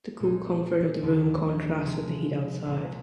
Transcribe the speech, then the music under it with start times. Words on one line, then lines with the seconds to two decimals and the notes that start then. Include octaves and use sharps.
The cool comfort of the room contrasts with the heat outside.
0.20 A#2 G#3 C4 D#4
1.01 D#2 D3 F3 C4 D#4
1.83 C3 F3 G#3
2.65 C2 A#2 G#3